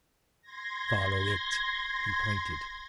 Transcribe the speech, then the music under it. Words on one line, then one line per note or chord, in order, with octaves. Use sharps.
"Follow it." He pointed.
C6 G#6 A#6